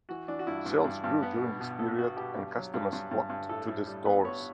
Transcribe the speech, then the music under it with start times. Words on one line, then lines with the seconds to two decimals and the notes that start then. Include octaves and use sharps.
Sales grew during this period and customers flocked to the stores.
0.09 E3 F#4
0.28 E3 D4
0.39 F#4
0.47 G2 E4
0.66 G2
0.84 G2
1.04 G2
1.23 B3
1.41 B2
1.61 B2
1.79 B3 A4
1.98 B3 F#4
2.17 B2 G4
2.35 G2
2.55 F#3
2.74 G2
2.93 G2
3.11 G2
3.30 G2
3.49 A2 A4
3.68 A2
3.87 G3
4.06 B3 B4
4.24 B3 C#5